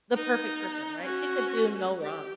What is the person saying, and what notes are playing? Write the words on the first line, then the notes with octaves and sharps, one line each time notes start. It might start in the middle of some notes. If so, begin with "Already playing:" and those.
the perfect person, right? She could do no wrong.
D#4
C#4 F#4
G4